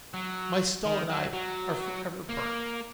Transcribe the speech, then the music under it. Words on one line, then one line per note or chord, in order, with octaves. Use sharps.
My stall and I are for ever parted.
F#3
D#3
F#3
F#3
A#3